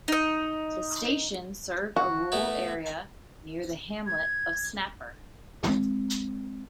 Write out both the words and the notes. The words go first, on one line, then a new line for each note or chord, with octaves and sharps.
The station served a rural area near the hamlet of Snapper.
D#4 D#5
F#4
A3 B3 E4
G#6
G#3 C4